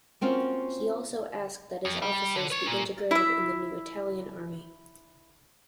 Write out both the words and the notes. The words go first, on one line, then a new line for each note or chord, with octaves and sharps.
He also asked that his officers be integrated in the new Italian Army.
A#3 C4 C#4 F4 F#4
F2
G3
D3
B4 C#5
A#2
E4 E5